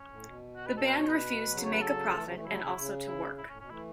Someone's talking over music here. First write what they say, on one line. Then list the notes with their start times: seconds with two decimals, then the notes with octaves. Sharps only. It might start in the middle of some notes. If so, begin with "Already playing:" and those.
The band refused to make a profit and also to work.
Already playing: C#4
0.09 A2
0.25 B2
0.56 F#4
0.66 B4
0.77 A4
0.87 B4
0.97 C#5
1.08 B4
1.49 C#3 F#3
1.65 C#5
1.73 B4
1.81 A4
2.13 E3 A3
2.23 C#3 F#3
2.34 E3 A3
2.44 C#3 F#3 E4
2.59 C#3
2.76 C#3
3.08 E4
3.38 A2 E4
3.48 A2 C#4
3.60 B2 C#4
3.69 E3 A3 E4